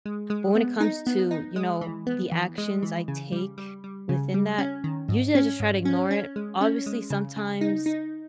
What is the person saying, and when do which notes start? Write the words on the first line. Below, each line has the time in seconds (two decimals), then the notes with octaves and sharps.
But when it comes to, you know, the actions I take within that, usually I just try to ignore it. Obviously, sometimes,
0.05 G#3
0.30 G#3
0.55 B3
0.80 D#4
1.07 B3
1.31 D#4
1.56 G#3
1.81 E3
2.07 B3
2.32 E3
2.58 G#3
2.83 E3
3.08 C#3
3.32 G3
3.58 G3
3.84 G3
4.09 C#3
4.34 G3
4.58 C#4
4.84 D#3
5.09 G#2
5.35 C#4
5.60 G#2
5.85 C#4
6.11 C#4
6.36 G#3
6.61 C#4
6.86 G#3
7.10 C#3
7.36 C#3
7.61 D#4
7.86 D#4